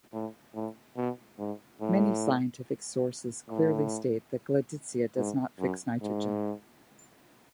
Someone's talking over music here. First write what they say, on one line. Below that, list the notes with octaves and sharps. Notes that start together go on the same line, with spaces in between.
Many scientific sources clearly state that "Gleditsia" does not fix nitrogen.
A2
A2
B2
G#2
A2
A2
G#2
F#2
G#2